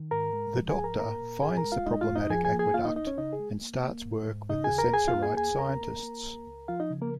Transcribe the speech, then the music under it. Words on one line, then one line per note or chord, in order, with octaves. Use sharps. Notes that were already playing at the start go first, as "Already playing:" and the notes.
The Doctor finds the problematic aqueduct and starts work with the Sensorite scientists.
Already playing: D#3
G#2 A#4 A#5
G#3
F3
G#4 G#5
G#2
A#4 A#5
A#3 A#4 A#5
A#2
G#2 G#4 G#5
A#4 A#5
G#3
F4 F5
G#3 D#4 D#5
F4 F5
F2
D#4 D#5
F3 G#4 G#5
G#4 G#5
A#3
G#4 G#5
A#3 F4 F5
D#4 D#5
C#2 D#4 D#5
C#4 C#5
C#3 D#4 D#5
G#4
G#3
A#3
A#3
G#2
G#2
C#3 D#4 D#5
G#4 G#5
D#2
A#4 A#5
D#2 G#4 G#5
F4 F5
A#3
G#4 G#5
D#2 G#4 G#5
D#2 A#4 A#5
A#3
A#3
C#2
C#2
F3 F4 F5
D#4 D#5
C#3
A#3 A#4